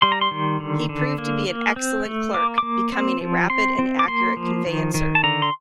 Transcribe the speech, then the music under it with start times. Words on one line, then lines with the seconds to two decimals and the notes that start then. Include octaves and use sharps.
He proved to be an excellent clerk, becoming a "rapid and accurate conveyancer".
0.02 G3 C6
0.12 A#5
0.21 C6
0.31 D#3
0.60 D3
0.89 D3
1.18 A#3
1.48 A#3
1.76 C4
2.05 A3
2.34 A#3 D6
2.58 A#3 D6
2.92 C4
3.21 F3
3.50 C4 C6
3.79 C4
3.99 D6
4.08 A#3 C6
4.37 F3
4.66 D#3
4.94 D#3
5.15 A5
5.23 D3 A#5
5.42 C6